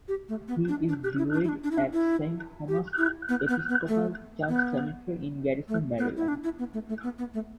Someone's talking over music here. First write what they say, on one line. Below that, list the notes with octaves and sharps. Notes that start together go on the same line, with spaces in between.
He is buried at Saint Thomas' Episcopal Church Cemetery in Garrison, Maryland.
G4
A3
B3
D4
D4
G4
E4
D4
E4
D4
D4
E4
D4
E4
G4
E4
B3
B3
B3
A3
B3
A3
B3
E4
D4
E4
B3
A3
A3
B3
B3
A3